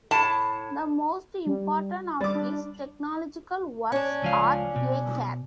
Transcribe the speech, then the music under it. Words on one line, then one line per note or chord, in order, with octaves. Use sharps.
The most important of his theological works are: A kath.
A2 A5
G3
G3 D6 A6
D4
C#4 D4
C#2 F3 F5
B2